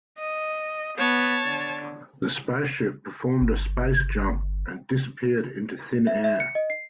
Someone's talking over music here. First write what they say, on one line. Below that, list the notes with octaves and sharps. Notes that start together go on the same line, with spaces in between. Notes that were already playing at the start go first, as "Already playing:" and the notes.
The space ship performed a space-jump and disappeared into thin air.
D#5
B3 C#5 A5
D3
G1
E5
E5
C#7
D#5
C7